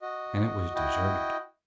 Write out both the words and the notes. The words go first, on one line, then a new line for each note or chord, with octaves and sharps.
And it was deserted.
F#4 D#5
E4 F#4 D#5 G5